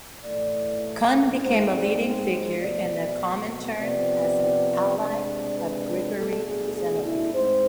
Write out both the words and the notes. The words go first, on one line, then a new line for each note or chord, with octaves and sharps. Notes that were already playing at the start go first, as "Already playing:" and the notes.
Kun became a leading figure in the Comintern as an ally of Grigory Zinoviev.
A2 E3 A3 D5
G#2 G#3 C4 C5
D5
C5
B2 A3 C4 D5
C3 F3 B3 D5
C3 G#3 D4 D5
B4
B4
B2 A3 D4 A4
G#4
G#4
E4
G#2 G#3 C4 C5